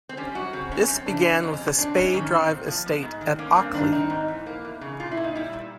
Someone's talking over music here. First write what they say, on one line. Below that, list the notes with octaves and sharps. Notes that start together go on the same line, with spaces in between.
This began with the Spey Drive Estate, at Auckley.
C4
G3 C#4
F#2 F#4
C#3 C4
F#2 C#4
F#2 C4
C#3 D4
G#3 C#4
C4
F2 C#4
C3
C4 D4
G#2 C#4
D#3 C#4
C4
A#2
F3
B3
G#2
D#3
A#3 C#4
G2 C4
D#3 D4
C4 D#4
G#2
E3
A#3
E2
C#3
A#2 F4
E4
A#2
D#4
G3 E4
A#2